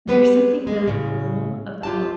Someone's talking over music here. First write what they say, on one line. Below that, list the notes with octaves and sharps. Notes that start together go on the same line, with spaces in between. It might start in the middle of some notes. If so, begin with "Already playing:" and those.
there's something really cool about
G3 G#3 B3 B4
G#3 A#3
A2 C#3
F4 G4 A5